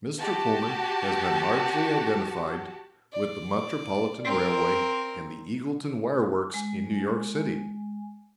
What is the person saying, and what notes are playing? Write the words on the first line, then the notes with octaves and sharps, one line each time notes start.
Mr. Pullman has been largely identified with the Metropolitan Railway and the Eagleton Wire Works in New York city.
F#4 G4 A5
D5
C4 A#4
G#3 G#5